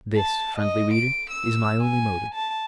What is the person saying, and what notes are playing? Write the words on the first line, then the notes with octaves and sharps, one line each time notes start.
This, friendly reader, is my only motive.
A5
D#5
D7
E6
G#5
A5